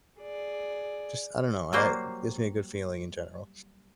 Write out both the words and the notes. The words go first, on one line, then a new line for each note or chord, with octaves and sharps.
just, I don't know I gives me a good feeling in general,
G#4 D5
F#3 G3 A#3 C5